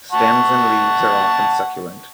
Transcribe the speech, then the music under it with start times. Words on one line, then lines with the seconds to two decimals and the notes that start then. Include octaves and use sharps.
Stems and leaves are often succulent.
0.12 F#5 A5 C#6